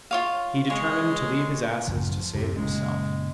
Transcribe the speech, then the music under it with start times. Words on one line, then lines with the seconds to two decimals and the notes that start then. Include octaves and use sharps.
He determined to leave his asses to save himself.
0.11 F4 C#5 F5
0.70 G#3 C#5
1.87 A1 F#2 C#3 F3
2.34 F#2 C3 C4
2.57 F#1 A#2 G#3 C#4